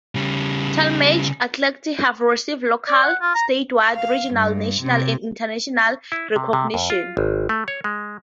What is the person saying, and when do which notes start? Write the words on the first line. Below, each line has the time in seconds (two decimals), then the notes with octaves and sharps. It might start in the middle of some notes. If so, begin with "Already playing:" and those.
Tallmadge athletes have received local, statewide, regional, national, and international recognition.
0.15 C#3 G3
2.88 D5
3.03 F#5
3.21 F4
3.35 A#5
3.96 F5
4.34 G2
4.81 C3
6.12 E4
6.36 C3
6.53 C3
6.74 F2
6.90 F4
7.17 G#1
7.49 A3
7.68 C#5
7.84 G#3